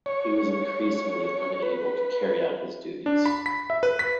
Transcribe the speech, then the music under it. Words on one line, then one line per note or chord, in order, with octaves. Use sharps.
He was increasingly unable to carry out his duties.
C#5
B4
D4
B5
B6
E5
B4
B6